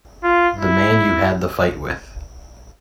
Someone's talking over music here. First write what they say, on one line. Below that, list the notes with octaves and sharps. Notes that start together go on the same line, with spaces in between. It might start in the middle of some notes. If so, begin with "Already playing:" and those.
The man you had the fight with.
F4
E4